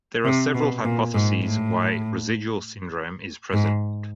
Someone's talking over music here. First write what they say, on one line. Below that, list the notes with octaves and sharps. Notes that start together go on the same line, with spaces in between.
There are several hypotheses why residual syndrome is present.
C3
B2
A#2
G#2
A2
G#2